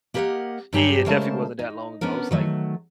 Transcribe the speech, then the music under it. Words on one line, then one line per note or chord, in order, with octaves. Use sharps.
Yeah, it definitely wasn't that long ago, it was like
A#3 G4 A#4 B4 D#5 F#5
G2 F#3 G4 G5 G#5 A#5
C#3 G#3 A3 A#4 C5 A5
D#4
B3 C#4 D4 A#4
D#3 F#3 A3